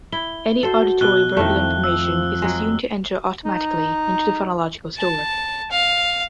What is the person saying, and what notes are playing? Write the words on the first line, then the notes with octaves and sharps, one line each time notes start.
Any auditory verbal information is assumed to enter automatically into the phonological store.
E4 G7
F#4 A4 C5
B2 F#6 G7
F2 D#3 A3 C4 E4
F3 E6
F#3 G#3
D#4
A5
F5